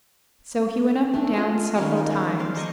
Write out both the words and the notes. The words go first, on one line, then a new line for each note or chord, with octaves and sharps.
So he went up and down several times.
A3 D4
F4 D#5
D#3 G3 A#3 C#4
C5 D5 F5
A4 A#4 D#5 C#6